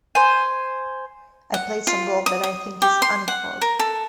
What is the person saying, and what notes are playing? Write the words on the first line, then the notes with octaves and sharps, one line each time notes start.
I played some golf that I think is unequaled.
C5 G#5
F#5
F4
D#6
D#6
G4
C6
F#5
A#4
A4